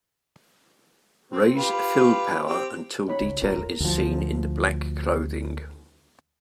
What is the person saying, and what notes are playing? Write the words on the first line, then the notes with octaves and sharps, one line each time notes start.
Raise fill power until detail is seen in the black clothing.
C4
F4 G4 B4
C4 G4
D#4 C#5 B5
C#2
A#3 F4 A#4 A#5
E2
D2 F3